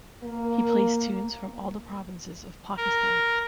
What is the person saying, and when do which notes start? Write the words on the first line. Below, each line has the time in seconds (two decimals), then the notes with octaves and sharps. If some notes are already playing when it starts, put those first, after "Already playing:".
He plays tunes from all the provinces of Pakistan.
0.23 A#3
2.77 A#4